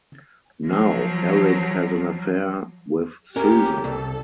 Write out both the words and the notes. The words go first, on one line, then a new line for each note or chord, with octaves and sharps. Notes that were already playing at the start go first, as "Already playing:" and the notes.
Now, Erik has an affair with Susan.
F3 F#3
C#4 G4 A#4
C2 A4